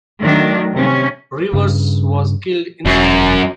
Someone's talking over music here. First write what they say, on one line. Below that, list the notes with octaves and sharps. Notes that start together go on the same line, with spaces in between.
Rivers was killed instantly.
D#3 F#3 A3 D4
C3 C#4
G2 C#3
E1 F#2